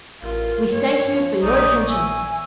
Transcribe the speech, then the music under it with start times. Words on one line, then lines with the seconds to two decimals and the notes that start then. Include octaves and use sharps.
"We thank you for your attention!"
0.22 A1 F4 A#4
0.73 G2 C#5
1.11 F3
1.43 A#1 D#4 D5 C#6
1.89 E5 G#5